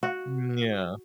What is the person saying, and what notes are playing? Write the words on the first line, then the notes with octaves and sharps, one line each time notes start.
Mm, yeah.
F#4